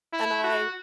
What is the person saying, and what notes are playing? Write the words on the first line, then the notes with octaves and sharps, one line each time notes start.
And I
E4
F#4